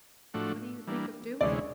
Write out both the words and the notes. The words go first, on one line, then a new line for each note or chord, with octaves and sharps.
'What do you think of doing?'
A2 F3 A3 D4 F#4
E3 G3 A#3 D4
D2 C3 E3 G#3 C#4 D5